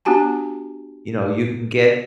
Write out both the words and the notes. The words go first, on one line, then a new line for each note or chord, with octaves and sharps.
you know, you can get
B3 D4 F#4 G4 G#5 A5